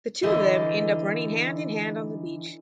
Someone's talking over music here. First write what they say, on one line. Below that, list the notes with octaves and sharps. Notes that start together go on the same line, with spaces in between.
The two of them end up running hand in hand on the beach.
D3 E3 D#4